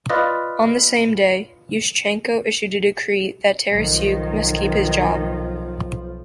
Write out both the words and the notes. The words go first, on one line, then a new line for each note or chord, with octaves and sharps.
On the same day, Yushchenko issued a decree that Tarasyuk must keep his job.
F4 B4 D5 D#5
B1 D#3 F3